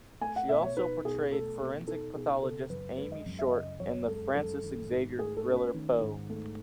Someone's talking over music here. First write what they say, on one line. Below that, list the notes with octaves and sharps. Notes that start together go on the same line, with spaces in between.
She also portrayed forensic pathologist Amy Short in the Francis Xavier thriller Poe.
A3 G#5
F#5
B2 E5
C#5
D#4 B4
B2 G#4
A3 A4
B2
D#4 A4
B2 G#4
C#3 A4
F#2 B4
G#3 B4
D#5
F#2
E5
C#3 D#5
F#2 C#5
G#3 A4
F#2 A4
D#3
G#2
A3 G#4
A4
C#4
B4
D#3
G#2
A3